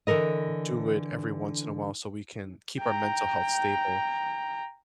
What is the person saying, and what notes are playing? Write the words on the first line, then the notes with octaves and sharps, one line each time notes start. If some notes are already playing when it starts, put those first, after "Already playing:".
do it every once in a while so we can keep our mental health stable,
D3 E3 A4 A#4 D#5
G5 A#5